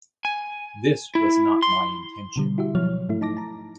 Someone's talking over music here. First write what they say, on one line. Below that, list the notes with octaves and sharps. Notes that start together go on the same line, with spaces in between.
This was not my intention.
G#5
E4
C6
B2 D3 G3
E4 F#4 G4 E5
B2 F3 F#3 C#5 F6
G#2 A3 E4
D#4 A5 D6 A#6
A5 A#5